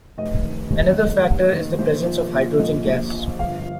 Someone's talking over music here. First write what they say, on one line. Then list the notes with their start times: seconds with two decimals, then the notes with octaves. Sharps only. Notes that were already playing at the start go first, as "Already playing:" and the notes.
Another factor is the presence of hydrogen gas.
0.18 F1 D#5
0.45 D#3
0.71 D#2
0.98 F1 D#5
1.24 F1
1.52 D#3
1.78 A#1 C5
2.05 F3
2.32 A#2
2.59 A#1 D#5
2.86 A#1
3.12 F3
3.39 G1 F5